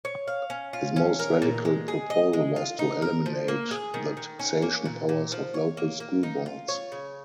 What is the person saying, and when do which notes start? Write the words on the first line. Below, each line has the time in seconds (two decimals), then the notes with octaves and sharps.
His most radical proposal was to eliminate the taxation powers of local school boards.
0.05 C#5
0.28 F5
0.50 C#4
0.73 F4
0.96 C#4
1.19 A#4
1.42 A#2
1.65 G#3
1.88 G#4
2.10 D#5
2.33 G#3
2.56 F4
2.79 D#4
3.02 A#4
3.26 F3
3.48 A#3
3.71 G#4
3.94 D#3
4.17 D#3
4.39 C#4
4.62 A#3
4.85 A#2
5.09 A#2
5.32 F3
5.54 C#5
5.77 A#3
6.00 A#3
6.23 D#4
6.46 F4
6.68 C#5
6.92 C#3